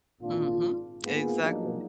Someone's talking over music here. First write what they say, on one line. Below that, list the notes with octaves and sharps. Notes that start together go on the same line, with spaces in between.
Mhm. Exactly.
G#1 A#2 D4 F4
G#2 A#3 B3 F4 G#4
F3 F#3 G#3 A#3 D4 D#4